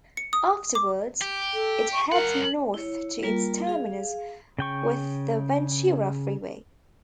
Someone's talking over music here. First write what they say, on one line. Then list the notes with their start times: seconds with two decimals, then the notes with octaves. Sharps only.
Afterwards, it heads north to its terminus with the Ventura Freeway.
0.17 C#7
0.33 D#6
0.75 D6
1.21 G4
1.54 A4
1.92 C#6
2.12 G2 A#4 F#5
2.74 E4 C#5
3.23 G3 A#3 F4 A#4
3.67 G#4 F5
4.59 C#3 G5 C#6